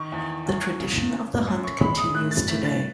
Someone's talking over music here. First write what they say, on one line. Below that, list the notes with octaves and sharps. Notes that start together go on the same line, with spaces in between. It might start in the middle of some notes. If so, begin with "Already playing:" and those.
The tradition of the hunt continues today.
Already playing: D#3 C#6
E2
E2
C#3
C#3
F#2
C#6
G#3 B5
D#6
A2 F#6
A6
A2 B6
A6